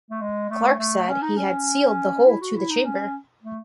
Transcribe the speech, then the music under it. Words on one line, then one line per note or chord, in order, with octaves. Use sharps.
Clark said he had sealed the hole to the chamber.
A3
G#3
A3
A3
C#4
D#4
C#4
E4
F#4
E4
D#4
C#4
A3